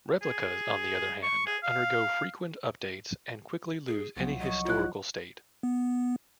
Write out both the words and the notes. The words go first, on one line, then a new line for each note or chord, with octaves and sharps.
Replicas, on the other hand, undergo frequent updates and quickly lose any historical state.
G#4
C#6
G#4
F5
G#4
C2 F3 F#3 B3 E4
F#3 D#5 C#6
E4 F4 C#5 F#6
B3